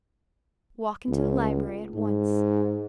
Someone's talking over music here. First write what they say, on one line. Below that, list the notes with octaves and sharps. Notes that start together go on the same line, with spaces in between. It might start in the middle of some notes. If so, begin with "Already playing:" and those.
"Walk into the library at once."
C#2
G#2